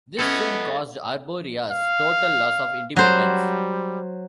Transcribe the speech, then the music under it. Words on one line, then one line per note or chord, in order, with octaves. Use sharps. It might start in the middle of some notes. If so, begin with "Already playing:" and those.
This soon caused Arborea's total loss of independence.
B3 C#4 E4 A4 D#5
F5
F#3 G3 C5